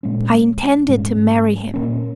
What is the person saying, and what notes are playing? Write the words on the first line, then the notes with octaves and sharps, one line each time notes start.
I intended to marry him.
A#2 G#3 C#4
G#2 G#3 C#4
A#2 A#3 C#4